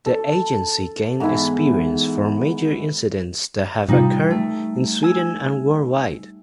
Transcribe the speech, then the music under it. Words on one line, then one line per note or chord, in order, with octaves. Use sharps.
The agency gained experience from major incidents that have occurred in Sweden and worldwide.
A4
G#2 E3 B3 E4
A2 C3 G3 D#4 F4
A3
G#5 E6